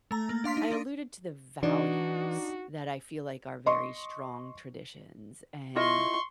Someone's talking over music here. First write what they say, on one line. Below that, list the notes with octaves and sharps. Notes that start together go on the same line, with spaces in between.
I alluded to the values that I feel like are very strong traditions, and
A3 A#5
A#3
D4 F5 C6 B6
D#4
D4 D#4
E3 D4 D#4 F#4
D#5 C6 C#6
E4 F4 D#5 C6 C#6